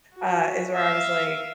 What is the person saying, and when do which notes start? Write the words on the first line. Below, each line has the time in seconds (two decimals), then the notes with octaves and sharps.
uh, is where I was like,
0.15 F#4
0.74 E5 F5